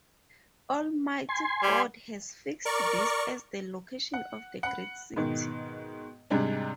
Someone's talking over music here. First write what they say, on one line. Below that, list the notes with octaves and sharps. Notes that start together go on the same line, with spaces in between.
Almighty God has fixed this as the location of a great city.
G#5 C6
G3
A#4 D5 C#6
F#5
F#5 B5
G#2 B2 D#3
G#2 C3 G3 G#3 D4